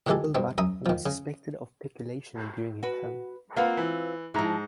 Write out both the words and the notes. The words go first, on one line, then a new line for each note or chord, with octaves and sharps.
Hurlbut was suspected of peculation during his term.
A#2 D3 E3 G#3 G4 A4
G2 B2 C4
F#2 E5 A#5 D#6
D#3 F3
C#3
F#4 B4
A#3 C4 F4 B4 F5 F#5
E3
G#2 F3 E4 A#5